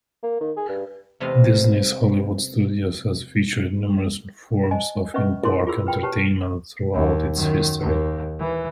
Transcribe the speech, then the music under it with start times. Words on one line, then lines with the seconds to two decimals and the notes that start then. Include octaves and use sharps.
Disney's Hollywood Studios has featured numerous forms of in-park entertainment throughout its history.
0.23 A#3
0.41 D#3
0.56 G#4
0.69 G2
1.20 E2 C3 A3 D#5 F5 C6
4.71 C5 D#5 G#5 A5
5.14 C#4 B4 D#5 E5 B5 C#6
5.44 E4 G#4 A#4 C#5 C6
5.66 F4 G#4 B5 E6
5.86 B4 G5 B5
6.03 G4 B4 C#5 A5
6.95 D#2
7.36 F#2 D#3
7.81 D#2
8.40 E3